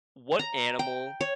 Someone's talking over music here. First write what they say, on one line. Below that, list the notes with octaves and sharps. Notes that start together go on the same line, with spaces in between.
What animal,
A#5
G5
C#5